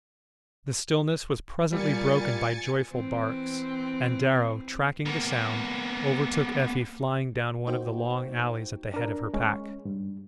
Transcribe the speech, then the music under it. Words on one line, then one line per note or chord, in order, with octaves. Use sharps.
The stillness was presently broken by joyful barks, and Darrow, tracking the sound, overtook Effie flying down one of the long alleys at the head of her pack.
A#2 G3 G#5 A6 C#7
E3 C4
A#3 B3
A#3 D#4 F#4 C5 G5
D4 A#4
G#3 C#4
G2